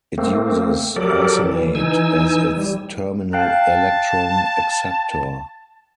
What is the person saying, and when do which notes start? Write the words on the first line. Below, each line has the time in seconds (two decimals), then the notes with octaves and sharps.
It uses arsenate as its terminal electron acceptor.
0.18 A3 A#3 C4
0.96 F#3 G4 A4 A#4 D5
1.44 E3
1.75 E3 D#4 G#5 E6
2.57 G3
3.33 F5 G5 A5 F#6